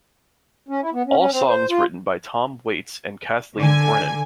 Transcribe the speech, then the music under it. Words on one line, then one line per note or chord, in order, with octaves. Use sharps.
All songs written by Tom Waits and Kathleen Brennan.
C#4
E4
B3
C#4
C#4
C4
C5
F4
D3 G#5